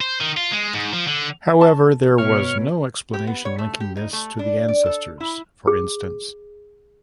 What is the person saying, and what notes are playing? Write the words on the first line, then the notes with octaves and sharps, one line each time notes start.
However, there was no explanation linking this to the ancestors, for instance.
C5
D#3
F4
G#3
G#2
F3
D3
A5
B2 C#5 C#6 F6
G4
B3
C#5
A3
G4
D#4
A3
D4
D5
A4
E4
G#4